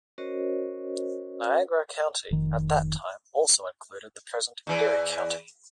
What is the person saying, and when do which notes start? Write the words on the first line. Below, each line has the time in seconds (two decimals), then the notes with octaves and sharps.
Niagara County at that time also included the present Erie County.
0.18 C#4 F#4 A#4 C5 C#5 D#5
2.31 F1 D#3
4.67 E2 E3